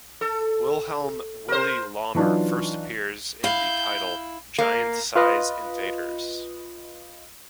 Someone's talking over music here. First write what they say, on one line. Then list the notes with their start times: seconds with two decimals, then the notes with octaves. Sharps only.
Wilhelm "Willie" Lohmer first appears in the title "Giant-Size Invaders".
0.21 A4
1.48 A#4 C5
2.15 E3 F#3 D4 D#4 F4
3.44 E4 F5 G6
4.58 A#3
5.15 F4 B4 D#5